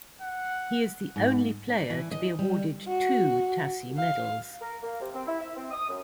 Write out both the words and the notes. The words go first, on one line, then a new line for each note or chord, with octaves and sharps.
He is the only player to be awarded two Tassie Medals.
F#5
G#2
D4
E3
D#5
G3
F#4
F5
A#4
A#3
C3
C4
E4
E5
C4
D#6
F#2